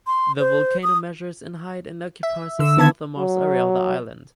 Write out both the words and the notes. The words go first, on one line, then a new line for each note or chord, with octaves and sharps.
The volcano measures in height and occupies the southernmost area of the island.
C6
C5
D#6
E5
D3 E6
D#3 B3 A5 G#6
F#3